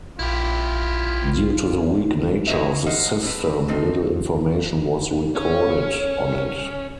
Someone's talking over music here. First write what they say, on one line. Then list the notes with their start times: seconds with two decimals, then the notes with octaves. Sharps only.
Due to the weak nature of the system, little information was recorded on it.
0.19 A#1 E4 F4 G4
2.47 E4 F#4 B4 C5 D#5 E5
2.86 C5 D#5 F5 F#5
3.23 F2 C4 F#4 B4
3.68 G2 F3 C4 D#4
5.35 C#4 C#5